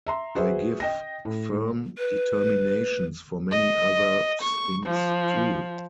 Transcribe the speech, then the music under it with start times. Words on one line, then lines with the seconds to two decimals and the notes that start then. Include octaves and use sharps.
They give firm determinations for many other things too.
0.06 E5 A#5 C6
0.35 F#4 G#4 B4 C5 E5
0.80 D#5 G5 A#6
1.25 A2
1.98 B4
3.51 D#5
4.43 C#6
4.86 F3